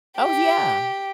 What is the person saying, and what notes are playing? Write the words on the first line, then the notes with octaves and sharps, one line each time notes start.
Oh yeah.
G4